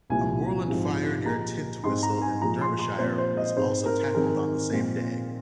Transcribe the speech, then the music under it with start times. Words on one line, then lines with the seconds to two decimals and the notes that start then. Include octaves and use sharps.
A moorland fire near Tintwistle in Derbyshire was also tackled on the same day.
0.10 C2 A#2 F3 G#5
0.68 G#2 F3 C4
1.25 A#2 F3 G#3 A#5
1.84 G#2 G#3 C4 C6
2.03 A#5
2.22 G#5
2.42 A#2 F3 G#3 A#5
2.61 C6
2.79 C6
2.99 A#2 F3 C4 C5
3.18 C5
3.37 D#5
3.57 G#2 G#3 C4 C5
3.86 A#4
4.15 G#2 D#3 G#3 C4 A#4
4.73 A#2 F3 G#3 C4